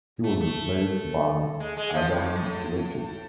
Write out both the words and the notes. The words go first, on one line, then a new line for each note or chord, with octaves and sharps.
He was replaced by Adam Rickitt.
A3
A3
G#3
G#3
F3
A2
G#2
A2